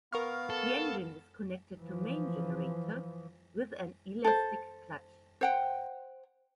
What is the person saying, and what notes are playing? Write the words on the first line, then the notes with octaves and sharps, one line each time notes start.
The engine is connected to main generator with an elastic clutch.
B3 A#4 F5 C#6 F6
A4
E3 F3
A4 C5
C5 F#5 G5